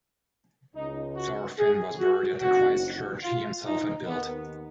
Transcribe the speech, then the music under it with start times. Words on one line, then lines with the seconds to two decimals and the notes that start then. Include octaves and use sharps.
Thorfinn was buried at the Christ Church he himself had built.
0.75 C#2 C#3 D#4
1.17 F#4
1.58 G#4
2.00 F#4
2.41 F#1 F2 D#3 F#4
3.24 F4
3.66 D#4
4.06 D#2 D#3 B3